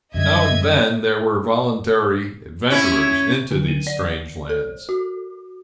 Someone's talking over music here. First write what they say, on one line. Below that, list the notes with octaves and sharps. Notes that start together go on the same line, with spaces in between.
Now and then, there were voluntary adventurers into these strange lands.
F#2 D3 G3 D#5 E5 G#6
C#4 E4
D3
D#7
D5
A4
F#4